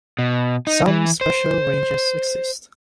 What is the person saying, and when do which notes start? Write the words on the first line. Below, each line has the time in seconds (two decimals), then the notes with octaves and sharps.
Some special ranges exist.
0.19 B2
0.67 D#4
0.87 E3
1.21 C5